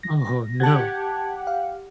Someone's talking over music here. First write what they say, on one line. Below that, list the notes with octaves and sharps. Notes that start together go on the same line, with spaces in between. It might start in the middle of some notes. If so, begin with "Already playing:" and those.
Oh, no.
A#6
G4 F#5 A5 G#6
F5